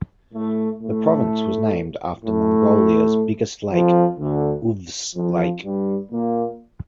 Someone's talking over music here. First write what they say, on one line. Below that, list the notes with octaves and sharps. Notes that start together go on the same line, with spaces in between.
The province is named after Mongolia's biggest lake, Uvs Lake.
A2 A3
A2 A3
A2 A3
F2 F3
D2 D3
F2 F3
G2 G3
A#2 A#3